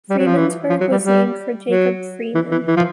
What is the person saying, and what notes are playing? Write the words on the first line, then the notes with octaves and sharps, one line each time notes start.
Freemansburg was named for Jacob Freeman.
G3
F#3
F3
E3
F3
F#3
G3
G3
F#3
E3
E3
E3
F3